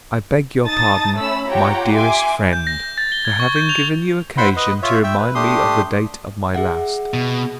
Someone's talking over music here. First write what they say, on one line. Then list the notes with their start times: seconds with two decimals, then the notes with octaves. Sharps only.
I beg your pardon, my dearest friend, for having given you occasion to remind me of the date of my last.
0.66 D#4 A5 D#6 A6
1.16 A3 C#4 B5 E6
1.50 F4 G4 C#5 F#5 G5 A#5
1.95 E5 G#5 C6 D6
2.53 G6
2.67 A#6
2.83 G6
2.98 A6
3.12 G7
3.25 G#6
3.40 C#6
3.56 G6
3.69 F7
4.37 E4 C5 E5 F#5 B5 C6
4.57 B4 D#5
4.83 F4 C#5 E5
5.04 E5 G5 E6
5.17 B4
5.35 A3 D4 G4 C6 D#6
6.54 G#4 E5 F#5
7.14 B2